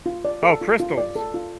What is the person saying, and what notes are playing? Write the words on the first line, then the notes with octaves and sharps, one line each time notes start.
Oh, crystals.
F4
D5
A4
F4
F4
D5
A4
F4